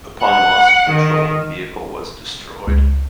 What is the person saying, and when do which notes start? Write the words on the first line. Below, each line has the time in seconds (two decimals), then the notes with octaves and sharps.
Upon loss of control, the vehicle was destroyed.
0.24 F#5
0.90 D#3
2.67 C#2